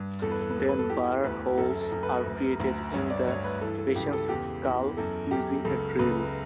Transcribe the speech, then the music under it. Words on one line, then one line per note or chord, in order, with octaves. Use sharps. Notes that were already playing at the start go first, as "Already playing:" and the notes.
Then burr holes are created in the patient's skull using a drill.
Already playing: G2
E2 A4
B4
A4
B4
E2 A4
B4
A4
E3 G4
D2 B4
F#2 A4
A4
F#2
B4
D2
D2
G2 C#5
D5
G2 C#5
B4
E3 A4
A4
C#2 G4
A4
E2 G4
E2
F#2 A4
F#2 G4
C#2 A4
C#2 B4